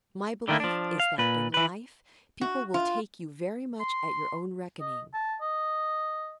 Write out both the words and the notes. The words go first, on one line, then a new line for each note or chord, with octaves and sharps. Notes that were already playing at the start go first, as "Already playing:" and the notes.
My belief is that in life people will take you very much at your own reckoning.
D3 D#3 A3 A#3 E4
F3 D4
F5
A#2 B4
E3 B4
F#4
F4
C6
D#5
A5
D#5